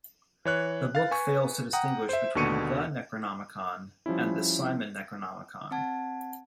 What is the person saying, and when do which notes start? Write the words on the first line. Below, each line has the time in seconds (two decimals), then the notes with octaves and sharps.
The book fails to distinguish between the "Necronomicon" and the "Simon Necronomicon".
0.45 E3 C#5 F#6
0.95 F5 A6
1.11 B4 G#5 C#6
1.73 F#5 G5 A#5 D#6
2.09 C5 E5
2.35 D#2 B2 D3 C#6 C#7 D#7
4.06 F3 G3 C#4 E4
5.71 C4 F#5 A5 G#6